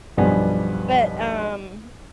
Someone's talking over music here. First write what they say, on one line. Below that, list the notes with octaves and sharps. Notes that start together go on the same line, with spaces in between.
But, um,
B1 G2 F3 G3 B3 G#5